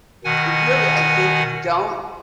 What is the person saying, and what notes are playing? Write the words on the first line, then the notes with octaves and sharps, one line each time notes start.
eh really, I think, don't
B2 D#3 F#5 G#5